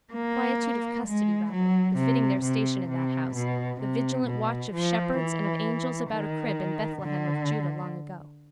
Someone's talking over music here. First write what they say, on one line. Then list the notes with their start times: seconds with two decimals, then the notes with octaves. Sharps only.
Quietude of custody, rather, befitting their station in that house, the vigilant watch of shepherds and of angels about a crib in Bethlehem of Juda long ago.
0.14 A#3
1.06 G#3
1.52 F#3
1.97 C3
2.43 C3
2.88 C3
3.35 B2
3.80 C3
4.26 B2
4.72 F3
5.18 E3
6.10 D#3
7.02 D3